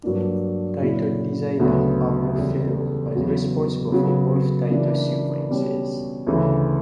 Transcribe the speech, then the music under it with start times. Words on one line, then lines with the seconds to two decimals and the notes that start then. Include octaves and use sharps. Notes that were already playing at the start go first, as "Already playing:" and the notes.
Title designer Pablo Ferro was responsible for both title sequences.
0.03 G2 F#3 A#3 D4
0.81 A#2 F#3 C#4 E4
1.59 D2 C#3 F#3 B3 F#4
2.37 E2 C#3 G3
3.15 E2 C#3 F#3 B3
3.92 C#3 F#3 B3
4.70 C#3 E3 A#3 D4
5.48 B2 G3 C#4 G4
6.27 D2 C#3 E3